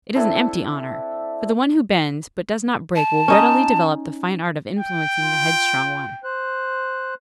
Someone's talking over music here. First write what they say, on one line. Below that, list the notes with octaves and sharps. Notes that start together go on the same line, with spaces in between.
It is an empty honor, for the one who bends but does not break will readily develop the fine art of influencing the headstrong one.
C4 D4 E4 A4
A5
C#4 D#4 D#5
G5
F4
C5 F#6